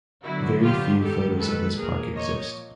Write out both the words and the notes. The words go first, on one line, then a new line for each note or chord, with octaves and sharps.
Very few photos of this park exist.
D3 F#3 B3 E4 F#4
F4 G4
D#3 G#3 B3 G4 A4
A4 B4
A#2 F3 A#3 G#4 A#4
C#5 D#5